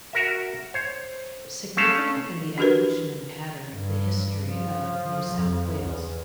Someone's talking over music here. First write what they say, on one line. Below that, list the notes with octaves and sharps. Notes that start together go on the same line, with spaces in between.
Significant in the evolution and pattern of the history of New South Wales.
F#4 A#4 E5
C5 C#5
A3 C#4 F5 A5
D4 F#4 G4 A#4 B4
G2
F3
F2
E2